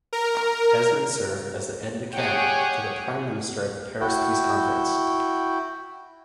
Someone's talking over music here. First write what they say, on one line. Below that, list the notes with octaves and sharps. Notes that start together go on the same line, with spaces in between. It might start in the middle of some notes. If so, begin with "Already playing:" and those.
Esmond served as Aide-de-Camp to the Prime Minister at the Paris Peace Conference.
A#4
G4 G#4 C#5 F#5 G5
E4 F#4 G5